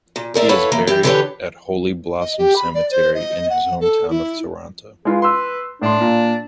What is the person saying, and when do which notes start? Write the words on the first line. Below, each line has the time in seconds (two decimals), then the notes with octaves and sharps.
He is buried at Holy Blossom Cemetery, in his home town of Toronto.
0.16 A#2
0.34 D#2 A#4 D5 E5
0.49 E4 A4 B4 C#5 F5 F#5
0.72 E3 A#3
0.87 E3 G4
1.03 D3 E3 G4 A#4 B4 C#5
2.20 D#5
2.38 G4
2.56 B5
2.74 D5
2.91 C5
3.14 D#5
3.50 F#5
3.81 A4
4.10 E4
5.05 G#3 F4 G#4 B4
5.22 B4 C6 E6
5.82 A2 D4 C6
6.01 A#2